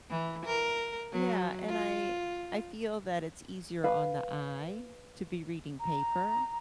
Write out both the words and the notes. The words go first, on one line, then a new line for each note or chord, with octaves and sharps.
yeah, and I I feel that it's easier on the eye to be reading paper.
E3
A#4
F#3
F4
B4 F5
A#5